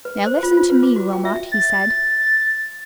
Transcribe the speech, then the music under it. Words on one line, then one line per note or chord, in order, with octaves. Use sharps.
"Now, listen to me, Wilmot," he said.
B4
C5
F4
F4
B4
D6
F#4
G5
E5
A6